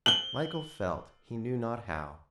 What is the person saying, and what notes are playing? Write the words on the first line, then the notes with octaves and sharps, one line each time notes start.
Michael felt he knew not how.
F#7 G7